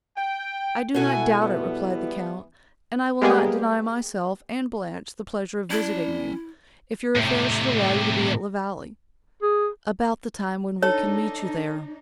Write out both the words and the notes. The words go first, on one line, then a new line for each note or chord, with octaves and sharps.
'I do not doubt it,' replied the Count, 'and I will not deny myself and Blanche the pleasure of visiting you, if your affairs should allow you to be at La Vallee, about the time when we can meet you there.'
G5
B2 A3 E4 F#4 A4 G#5
E3 G3 B3
G3 G#3 A#3 B3 G4 G#4
C#4 E4 D5 A5
A2 C3
G#4
D4 D#4 A4 C#5